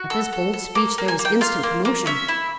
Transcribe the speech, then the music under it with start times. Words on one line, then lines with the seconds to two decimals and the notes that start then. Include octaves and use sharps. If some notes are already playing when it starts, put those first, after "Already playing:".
At this bold speech there was instant commotion.
Already playing: F#4
0.10 A4 E6
0.33 A4
0.53 A4
0.75 A#3 D6
0.98 A#3
1.08 G#5
1.19 A#3
1.25 G5
1.41 F4 F5
1.63 A#3
1.85 A#3
2.06 C#4 E5
2.28 E4